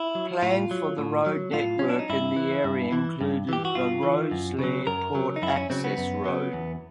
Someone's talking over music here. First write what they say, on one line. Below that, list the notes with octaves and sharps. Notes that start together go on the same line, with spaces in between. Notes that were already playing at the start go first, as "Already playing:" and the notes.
Plans for the road network in the area include the Rosslare Port Access Road.
Already playing: E4
F#3
A2 F4
F#3
A2
F#3
A2 F4
F#3 C#4
D4
D#4
G2 E4
E3
G2
E3
G2
E3 G4
F#4
G2 F4
E3
F#2
C#3 F#3
F#2 A#4
C#3 F#3
D#4
F#2 E4
C#4
C#3 F#3 C4
B3
F#2
C#3 F#3
E2